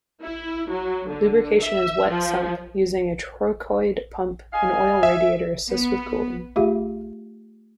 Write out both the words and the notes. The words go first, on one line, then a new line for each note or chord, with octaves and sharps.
Lubrication is wet sump using a trochoid pump; an oil radiator assists with cooling.
E4
F#3
D3
E5
F3
D#5 F5 G#5
E5
B3
A3 F4 G4 G#4 E5 F5